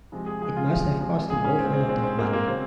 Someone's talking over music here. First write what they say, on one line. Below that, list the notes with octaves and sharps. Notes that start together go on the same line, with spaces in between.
It must have cost an awful lot of money.
C3 F3 G#3
G#4
C3 F3 G#3 G#4
F4
C3 F3 G#3
C3 F3 G#3
A#2 G#3 G#4
C#4
A#2 G#3 C4
C4
A#2 G#3 C4
C4
A#2 G#3 A#3
A#3
C#3 F#3 C4